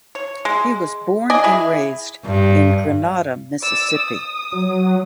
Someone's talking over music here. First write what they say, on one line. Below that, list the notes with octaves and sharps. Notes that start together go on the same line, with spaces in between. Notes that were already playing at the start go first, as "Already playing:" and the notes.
He was born and raised in Grenada, Mississippi.
C#5
G#3
D5 D#5 G#5
E4 G#4
G2
D5 E6
D#6
F#3